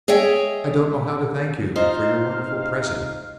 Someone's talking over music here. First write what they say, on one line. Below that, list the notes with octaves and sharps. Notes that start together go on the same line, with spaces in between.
I don't know how to thank you for your wonderful present.
G#4 C#5 D#5 E5 G5
D#4 F4 C5 D#5 F5